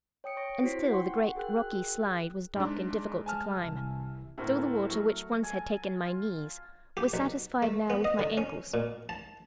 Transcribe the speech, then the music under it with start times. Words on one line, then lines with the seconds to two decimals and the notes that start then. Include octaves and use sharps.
And still the great rocky slide was dark and difficult to climb; though the water, which once had taken my knees, was satisfied now with my ankles.
0.24 C#5 G5 D#6 C#7 D7
0.37 C#5 C#6 A#6 D7
0.62 C4 E4 F#4 C5 B6 C7
0.91 F#5 G5 C6 C#6
1.35 F#4 G#4 A#4 G5 F#6
2.56 G#2 D4
2.91 G#3
3.26 G#5 A5 F6
3.60 C2 E3
4.38 D2 A2 A3 C4 A#4 F#5
4.90 F#3 C#6
5.43 G#5 A5
6.03 F4
6.97 G4
7.14 B1
7.62 A3
7.90 B3
8.04 D#5
8.19 D3
8.38 C#4
8.74 A#2
9.09 A5